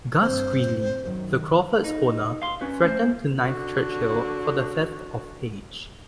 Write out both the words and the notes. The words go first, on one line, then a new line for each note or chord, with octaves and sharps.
Gus Greenlee, the Crawfords' owner, threatened to knife Churchill for the 'theft' of Paige.
G2 C4 C5
F#2 D#3 F#3
D#4
F5 C6
C#4 F#4 B4
A3 C5
D3 F#4